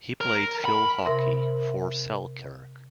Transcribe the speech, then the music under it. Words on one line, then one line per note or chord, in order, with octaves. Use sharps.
He played field hockey for Selkirk.
A#4
B5
C3 A#4 E5 C6